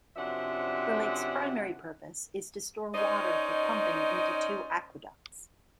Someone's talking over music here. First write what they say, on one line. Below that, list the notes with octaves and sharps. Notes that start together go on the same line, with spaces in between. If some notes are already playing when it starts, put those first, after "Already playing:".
The lake's primary purpose is to store water for pumping into two aqueducts.
F#2 C3 F3 D4 E5 F#5
C#4 D#4 C5 D5 D#5